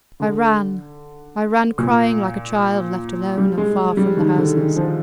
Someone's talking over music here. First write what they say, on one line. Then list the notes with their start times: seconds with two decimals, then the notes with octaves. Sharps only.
I ran--I ran crying like a child left alone and far from the houses.
0.20 D3
1.79 A#2
3.38 G3
3.58 G#3
3.97 G3
4.17 D#3
4.37 D3
4.57 D#3
4.76 F3